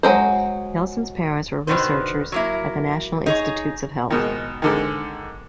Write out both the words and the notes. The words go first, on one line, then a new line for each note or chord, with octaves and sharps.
Nelson's parents were researchers at the National Institutes of Health.
F#3 G#3 C5
B2 D3 D#3 A3 B4 C5
F#3 A#3 E4
D#4 G#4 C#5
G#2 B2 D#3
G#2 D3 D#3